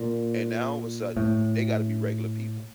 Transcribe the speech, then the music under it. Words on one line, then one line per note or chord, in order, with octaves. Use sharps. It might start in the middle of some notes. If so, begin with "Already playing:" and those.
and now, all of a sudden, they gotta be regular people,
Already playing: A#2
A2